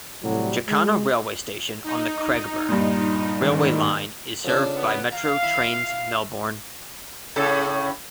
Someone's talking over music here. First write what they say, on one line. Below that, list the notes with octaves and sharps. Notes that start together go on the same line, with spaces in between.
Jacana railway station on the Craigieburn railway line is served by Metro Trains Melbourne.
A2 C3 F#3 G3
G#3
D#4
G2 A#2
G#2 D#3
F2 C#3 D4
B3
F5 A#5
E4 B5
A2 C#3 A4